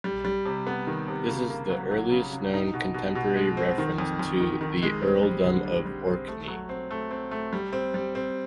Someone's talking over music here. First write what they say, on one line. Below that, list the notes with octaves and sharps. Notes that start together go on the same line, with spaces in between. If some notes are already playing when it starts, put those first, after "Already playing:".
This is the earliest known contemporary reference to the earldom of Orkney.
G3
G3
C3
B3
D#3
C3
C#3
A#3
F#3
F#3
C#3
C#3
D#4
B2
B2
B2
G#3
C4
D#3
F2
F2
D#3
D#3
G#3
C4
G3
D3
G3
G3
C4
A3
F#3
C4
A3
C4
A3
G3
C4
G3
C4